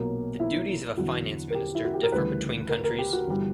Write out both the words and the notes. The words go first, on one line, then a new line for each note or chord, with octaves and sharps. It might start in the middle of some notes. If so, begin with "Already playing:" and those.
The duties of a finance minister differ between countries.
Already playing: B1 A#2 F#3 A#3
E4
E2 D3 F#3 F#4
A#4
G4
E4
F#4
G4
A#4
D2 C#3 E3 G3 B4
A#4
A#4
G4
F#4
G1 E3 G3